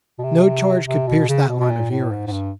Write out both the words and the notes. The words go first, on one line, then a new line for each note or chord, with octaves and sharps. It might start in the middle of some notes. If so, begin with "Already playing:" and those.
No charge could pierce that line of heroes.
B2
C3
C3
B2
C#3
B2
B2
A#2
A2
G#2
G#2
G2